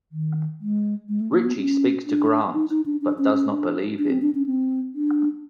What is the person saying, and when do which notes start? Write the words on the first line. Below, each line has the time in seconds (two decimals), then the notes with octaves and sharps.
Ritchie speaks to Grant, but does not believe him.
0.12 D#3
0.61 G#3
1.09 G#3
1.20 A3
1.33 A#3
1.45 B3
1.57 C#4
2.05 D4
2.54 D#4
2.70 D#4
2.86 D4
3.01 D4
3.18 C#4
3.34 C#4
3.50 D4
3.99 D4
4.10 C4
4.22 D4
4.35 C#4
4.46 C4
4.95 D4